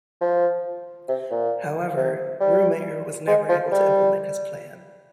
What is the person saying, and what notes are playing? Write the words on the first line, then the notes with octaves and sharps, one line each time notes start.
However, Ruemayr was never able to implement his plan.
F3
C3
A#2
C3
G3
G#3
F3
G3